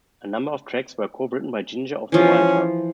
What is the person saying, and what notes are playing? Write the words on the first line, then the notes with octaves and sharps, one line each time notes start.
A number of tracks were co-written by Ginger of The Wildhearts.
E3 F3 C#4